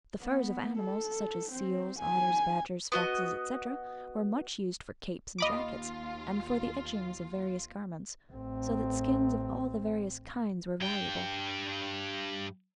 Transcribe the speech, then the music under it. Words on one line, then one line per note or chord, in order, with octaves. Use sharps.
The furs of animals, such as seals, otters, badgers, foxes, etc., were much used for capes and jackets, and for the edgings of various garments, so that skins of all the various kinds were valuable.
B3
A4
C4
G#5
B3 F#4 D#5
D#2 F4 D#5 B5 D6
A1 C4
G2 G5